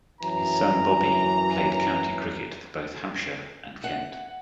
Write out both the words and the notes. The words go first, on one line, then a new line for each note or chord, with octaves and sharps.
His son, Bobby, played county cricket for both Hampshire and Kent.
F#2 E3 F#3 A#5
F#5